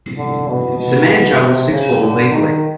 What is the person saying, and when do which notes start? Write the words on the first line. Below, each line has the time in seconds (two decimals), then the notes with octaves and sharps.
The man juggles six balls easily.
0.17 D3
0.48 B2
0.78 B2
1.40 C3
1.70 C#3
2.01 D3
2.31 D#3